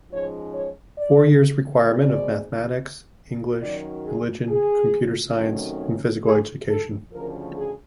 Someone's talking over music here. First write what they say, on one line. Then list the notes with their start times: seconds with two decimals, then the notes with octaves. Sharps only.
Four years requirement of mathematics, English, religion, computer science and physical education.
0.10 G#2 F3 G#3 C#4 C#5
0.54 C#5
0.98 D5
1.86 B2 G#3 C4 D5
3.61 F#2 D#3 F#3 D5
4.06 G#4
4.49 G#4
5.37 C3 D#3 F#3 A3 C#4
6.24 G#4
6.68 A4
7.12 D2 C#3 F3 A#4
7.55 G#4